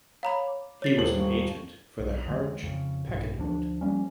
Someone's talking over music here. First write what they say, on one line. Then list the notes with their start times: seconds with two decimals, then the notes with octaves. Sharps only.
He was an agent for the Harwich packet boat.
0.23 C#5 F5 A#5 B5
0.47 D6
0.82 C#5 A6 C7
0.98 D#1 F#7
1.17 G3 F5 C#6
2.00 B1
2.26 F2 D3 G#3
2.63 F2 C#3
3.07 A#1 G2 B2
3.38 D2 F3 F#3 D4
3.81 F3 G3 A#3 C#4